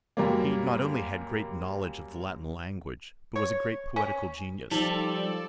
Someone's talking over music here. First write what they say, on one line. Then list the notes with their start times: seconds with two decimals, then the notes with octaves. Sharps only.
He not only had great knowledge of the Latin language, but was a great poetical genius.
0.17 F#2 G3 A#3
3.36 C#5
3.96 C#4
4.71 F3 G3 D#4 A4 D5